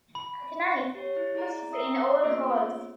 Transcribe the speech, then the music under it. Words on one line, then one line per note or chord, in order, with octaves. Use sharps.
At night it roosts in old holes.
B5
G4 C#5
E4
E4 G#4 D5 A#5
E5 A#5 D#6 E6 C7
A#3 B3 C#4 F4 G#4 C5